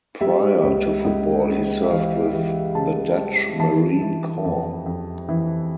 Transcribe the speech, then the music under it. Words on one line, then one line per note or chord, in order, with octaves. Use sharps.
Prior to football he served with the Dutch Marine Corps.
G3 E5
C#2
C#2
C#3
E5
E3 F5
E3
C#3 A5
G3
E3 A5
E3
F2
F2
E3